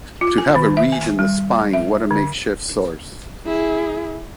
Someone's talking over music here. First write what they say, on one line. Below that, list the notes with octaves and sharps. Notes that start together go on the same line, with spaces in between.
To have a reed in the spine, what a makeshift source!
F4
G#5
D#3
E5
G#5
G3
E5
D3
E4 G#4